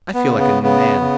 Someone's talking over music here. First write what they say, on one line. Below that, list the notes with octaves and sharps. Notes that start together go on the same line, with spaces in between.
"I feel like a new man."
B3
C#3
B3
C#3 B3
C#3